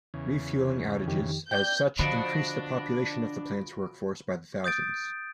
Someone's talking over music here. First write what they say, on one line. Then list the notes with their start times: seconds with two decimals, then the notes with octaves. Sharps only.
Refueling outages as such increase the population of the plant's workforce by the thousands.
0.14 E2 C#3
1.08 F2 D#3 G4
1.51 D5 G5 G6
1.99 B2 D3 F3 D4 F#4 B5 A#6 D7
4.64 D#6 G6 A6 D7